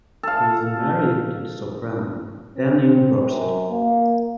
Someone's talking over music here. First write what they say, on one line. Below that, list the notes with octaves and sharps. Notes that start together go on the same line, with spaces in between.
He is married to the soprano Danielle Borst.
A4 F5
C4
F#2
A#3